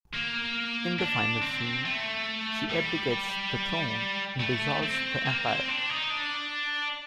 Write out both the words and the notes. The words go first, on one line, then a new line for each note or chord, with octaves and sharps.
In the final scene she abdicates the throne and dissolves the Empire.
A#3
D4
C4
A3
G3
A3
C4
A#3
C4
D4
D#4
D4